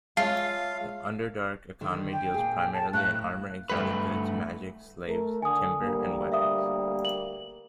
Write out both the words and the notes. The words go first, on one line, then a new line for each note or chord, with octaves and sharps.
The Underdark economy deals primarily in armor, exotic goods, magic, slaves, timber and weapons.
G#3 F4 C#5 E5 F5 A5
D3 D#3 D4
G5
A#2 G#4
A5
A2 A#4 F5 F#6
G2 A3 B4
A3 A#4
D3 G#5 D#6
D2 G3 A#3
E5 F5 D#6
F#7